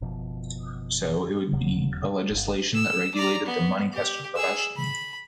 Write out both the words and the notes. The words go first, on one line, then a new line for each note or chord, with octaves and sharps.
So, it would be a legislation that regulated the money tester profession.
F#1 B2 F3
E1 D#2 C#3 F#3
D1 G1
E6
D5 A#5
B3
G4
G#4 E6
B5